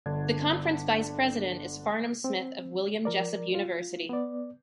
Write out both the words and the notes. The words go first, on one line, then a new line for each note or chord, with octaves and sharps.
The conference vice president is Farnum Smith of William Jessup University.
G1 D3 D4 G#6
C4
F3 A#4 D5
F4
B3 D5